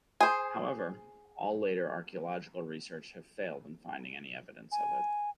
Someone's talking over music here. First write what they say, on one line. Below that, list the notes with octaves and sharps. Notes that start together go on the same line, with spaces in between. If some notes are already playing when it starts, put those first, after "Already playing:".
However, all later archaeological research have failed in finding any evidence of it.
G#4 C5 G#5
G#5